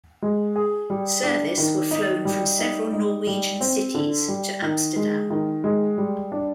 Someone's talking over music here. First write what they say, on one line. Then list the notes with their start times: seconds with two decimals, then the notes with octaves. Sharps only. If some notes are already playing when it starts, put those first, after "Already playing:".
Service were flown from several Norwegian cities to Amsterdam.
0.22 G#3
0.56 G#4
0.90 G3
1.23 D4
1.58 D#3
1.91 D#4
2.25 G3
2.59 D#4
2.93 D#4
3.27 G3
3.61 C4
3.95 D3
4.28 G3
4.62 D#3
4.96 G#3
5.30 D#3
5.64 G#3
5.98 G3
6.32 D4